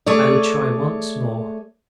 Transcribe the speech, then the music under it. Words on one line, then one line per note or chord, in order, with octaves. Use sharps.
I would try once more.
A3 G#4 C#5 D5